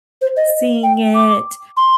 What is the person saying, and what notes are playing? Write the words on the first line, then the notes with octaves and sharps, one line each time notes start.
seeing it,"
C5
D#5
G5
D6
C6